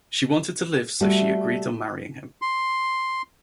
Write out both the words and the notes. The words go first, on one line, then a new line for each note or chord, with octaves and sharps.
She wanted to live so she agreed on marrying him.
G3 A3 F#4 D5
C6